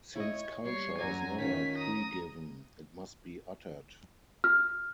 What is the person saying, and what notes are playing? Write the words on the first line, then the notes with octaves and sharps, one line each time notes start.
Since culture is never pre-given, it must be uttered.
E4 C#5 D#5
G3 C#5 C7
F#2 F#3 D5 G#5 A#5
D#3 C#4 F4 G#5 B6
A#5 D#6
F6